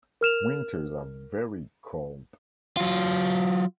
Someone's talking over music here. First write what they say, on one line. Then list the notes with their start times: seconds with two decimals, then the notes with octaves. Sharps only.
Winters are very cold.
0.21 A#4 F6 E7 F7
2.77 F#3 F4